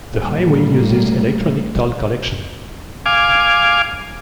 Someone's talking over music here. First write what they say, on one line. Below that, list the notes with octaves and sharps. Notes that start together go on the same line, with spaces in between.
The highway uses electronic toll collection.
A2 G3 A#3
F5 G#5 D6